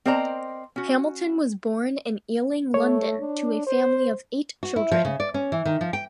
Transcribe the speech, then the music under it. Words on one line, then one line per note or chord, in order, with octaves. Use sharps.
Hamilton was born in Ealing, London to a family of eight children.
C4 A#4 C5 D5 D#5 A#5
C#4 F#4
A3 C#5
D4
C5
F#4
E4
F3
C#3
D5
C#4
E3
D#3
F3
G5